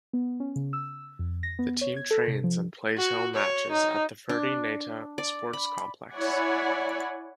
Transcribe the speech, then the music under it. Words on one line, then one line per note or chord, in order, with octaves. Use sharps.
The team trains and plays home matches at the Ferdi Neita Sports Complex.
B3
C#4
C#3
E6
F2
A#6
B3
C#5
G#6
A4
C3
F3
F#4
C#5
D#4
D4
D5
B5
E4 C#5 D5 F#5 G#5 B5